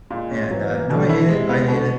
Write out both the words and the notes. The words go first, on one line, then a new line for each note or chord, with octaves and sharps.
And, uh, now I hate it, I hate it.
A#2 G#3
C#4
E3 F#3
A#3
B2 D3
E4
C3 G#3
B3
B2 D3